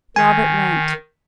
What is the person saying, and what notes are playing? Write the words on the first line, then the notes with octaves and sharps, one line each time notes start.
Robert went.
D#3 G#5